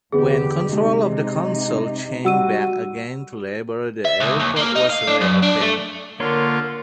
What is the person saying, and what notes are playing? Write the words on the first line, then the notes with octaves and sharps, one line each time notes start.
When control of the Council changed back again to Labour the airport was reopened.
E2 D3 B3 G4 G#4
C3 G#3 D#4 G4
G3 F#4 F#5 E6 D#7
E5
C#2
D#2
A#3
D#4
F5
D4
F#2
D4
A3
D3 A#3 F4 A#4 C#5 C6